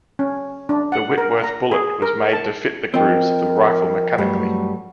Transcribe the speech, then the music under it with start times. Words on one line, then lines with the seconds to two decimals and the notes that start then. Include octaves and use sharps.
The Whitworth bullet was made to fit the grooves of the rifle mechanically.
0.19 C#4
0.69 D4
0.92 F#5
1.18 A#4
1.44 A#5
1.72 G#4
2.02 A#4
2.33 A5
2.94 F3 C4 A#4 D#5 G5
4.18 G2 F#3 G3 A3